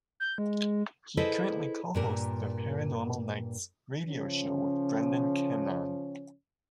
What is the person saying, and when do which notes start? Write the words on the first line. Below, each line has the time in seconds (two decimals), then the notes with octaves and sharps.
He currently co-hosts the "Paranormal Nights" radio show with Brendan Keenan.
0.20 G6
0.38 G#3
1.17 E4 G#4 A4 B4 C5 D#5
1.94 G2 A#2 A#4
4.07 C#3 F3 C#4